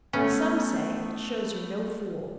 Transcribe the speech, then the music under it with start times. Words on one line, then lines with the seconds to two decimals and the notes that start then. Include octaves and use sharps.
Some say "it shows you're no fool."
0.13 A3 B3 C#4